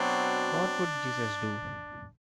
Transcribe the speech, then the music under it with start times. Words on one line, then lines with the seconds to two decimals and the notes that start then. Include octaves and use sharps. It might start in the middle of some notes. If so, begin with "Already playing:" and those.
What would Jesus do?
Already playing: B2 F#3 C4 D4